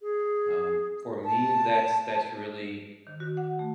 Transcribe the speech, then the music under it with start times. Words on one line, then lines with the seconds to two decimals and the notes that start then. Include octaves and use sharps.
um, for me, that's that's really
0.01 G#4
1.24 A5
3.07 D#3
3.20 F#4
3.37 F#5
3.59 A3